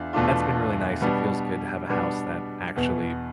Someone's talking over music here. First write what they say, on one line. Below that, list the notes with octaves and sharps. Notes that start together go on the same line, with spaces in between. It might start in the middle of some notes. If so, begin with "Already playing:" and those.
that's been really nice. It feels good to have a house that actually
Already playing: E2 D4 F4
E2 B2 A3 D4 F4
B2 G3 B3 D4
B2 G3 B3 D4
E2 B2 B3